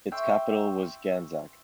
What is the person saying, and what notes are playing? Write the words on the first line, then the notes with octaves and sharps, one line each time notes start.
Its capital was Ganzak.
E5 G5 C6 C#6